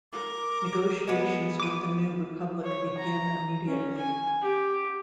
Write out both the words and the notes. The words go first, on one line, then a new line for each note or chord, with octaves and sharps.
Negotiations with the New Republic begin immediately.
A#4 D6
G#3 B3
D6 D#7
C#5
A#5
C#4
G#5
G4